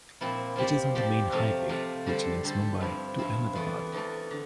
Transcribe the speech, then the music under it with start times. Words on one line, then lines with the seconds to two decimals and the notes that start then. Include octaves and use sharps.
It is on the main highway which links Mumbai to Ahmedabad.
0.21 A#2 F3 C4 E4
0.56 F3 C4 G4 D5
0.95 F3 C4 G4 D5
1.32 C3 F3 A3
1.69 C3 F3 A3
2.06 D3 G3 D4 A4 C5
2.43 D3 G3 D4 A4 C5
2.81 G2 F3 C4 E4
3.18 G2 F3 C4 E4
3.55 E2 E3 A3
3.92 E2 E3 A3
4.31 D3